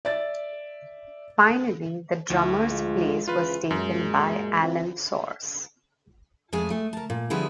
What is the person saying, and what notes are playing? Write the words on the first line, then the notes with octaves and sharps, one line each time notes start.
Finally, the drummer's place was taken by Alan Sors.
D5 E5 A6
D2 E4
F3 G#3 F4
C#2 C#3 E3 F4 B4
F#2 A#2 F#3 G#3
C4 E4 F4
F2 G#3 A3 G#4
A3
A#4 A5
A#2
D3 F3 G3 B3 E4 G#4